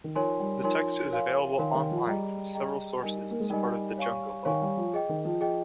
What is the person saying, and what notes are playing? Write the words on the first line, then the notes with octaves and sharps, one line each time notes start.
The text is available on-line from several sources as part of "The Jungle Book".
D#3
F3 D#4 A#4 C#5 G#5 C6
G3
F3 D#4 A#4 C#5 G#5 C6
A#4 C#5 F5 G#5 C6
D#3 A#4 C#5 F5 G#5 C6
D#3
F3
G3 G#4 D#5 G5 A#5
G#4 D#5 G5 A#5
G3 D#4 A#4 D#5 G#5
A#3
G#3
G3 D#4 A#4 D#5 G#5
C#5 F5 G#5 C#6
D#3 C#5 F5 G#5 C#6
G3
F3
G#4 D#5 G5
D#3
F3
G#4 D#5 G5